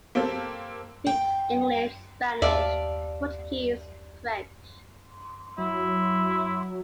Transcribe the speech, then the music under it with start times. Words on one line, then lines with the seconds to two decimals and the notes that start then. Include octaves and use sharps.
Speaks English, Spanish, Portuguese, French.
0.15 A#3 C4 G4 A4
1.06 G5
2.42 D#2 D5 E5 F5 A5
5.58 F#3 E4